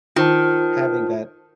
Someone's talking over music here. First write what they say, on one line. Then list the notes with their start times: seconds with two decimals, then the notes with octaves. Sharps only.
having that
0.16 D#3 F4 C5 A5